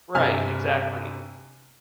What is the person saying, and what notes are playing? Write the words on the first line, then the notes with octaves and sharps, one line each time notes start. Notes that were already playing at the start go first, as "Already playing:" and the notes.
right, exactly.
G1 C3 E5 G#5 F6